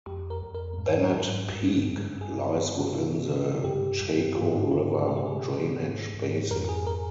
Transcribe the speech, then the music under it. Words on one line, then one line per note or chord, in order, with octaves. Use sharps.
Bennett Peak lies within the Chaco River drainage basin.
F2 G4
A#4
F2
A#4
G#2
G#2
G2
G2
G2 G#4
G2
C3 F4
C3
G2 G4
G2
G#2 F4
G#2 F4
C3 G#4
G4
G#4
C3
G#2
G#2
F2 A#4
G#4
A#4